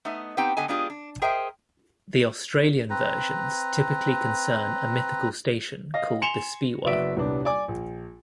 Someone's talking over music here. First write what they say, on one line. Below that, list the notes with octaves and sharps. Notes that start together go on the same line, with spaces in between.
The Australian versions typically concern a mythical station called The Speewah.
A3 B3 D#4 D#5
B3 C4 D#4 G4 G5
D3 B3 A4 D#5 G#5
G#3 B3 D4 F4 G4 G#4
D4
G#4 A#4 C5 D#5 E5 G5
C4 B4 A#5
D#5 F5 A#6
G#5 C6 C#7 E7 F7 G7
F#1 B3 F#4 D5 E5 D7
D#1 C2 B3 D4
D5 G#5 D6
A#1